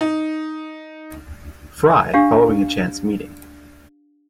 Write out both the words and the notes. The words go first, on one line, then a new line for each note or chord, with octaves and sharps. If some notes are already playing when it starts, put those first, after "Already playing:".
Fry, following a chance meeting.
D#4
D4 G4 F5